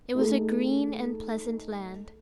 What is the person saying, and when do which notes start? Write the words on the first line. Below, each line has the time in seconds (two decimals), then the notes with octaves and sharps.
It was a green and pleasant land.
0.15 A3 D#4 G#4 A4